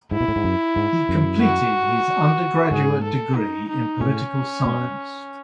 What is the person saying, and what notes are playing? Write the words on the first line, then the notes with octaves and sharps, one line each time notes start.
He completed his undergraduate degree in political science.
G#2 E4
B2
A2
G#2
F#2
G#2
F#2
F#4
G#2 G#4
A4
D#4
D#4
A2 C#4
B2